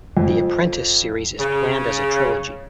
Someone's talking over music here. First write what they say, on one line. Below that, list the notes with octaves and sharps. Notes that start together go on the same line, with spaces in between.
The "Apprentice" series is planned as a trilogy.
F2
C#3